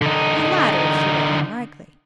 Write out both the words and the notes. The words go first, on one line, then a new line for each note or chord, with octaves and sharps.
The latter, if she read him rightly.
D3 D#4